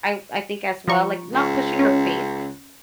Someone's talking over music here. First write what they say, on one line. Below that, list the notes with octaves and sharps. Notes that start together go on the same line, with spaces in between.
I've I think, as well, like, not pushing her faith,
F3 A#5 C#6
C#2
C#4